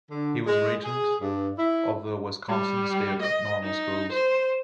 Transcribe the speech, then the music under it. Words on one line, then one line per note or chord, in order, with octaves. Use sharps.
He was regent of the Wisconsin state normal schools.
D3
G#3
G#4
G2
E4
G3
D#5
D#4
C5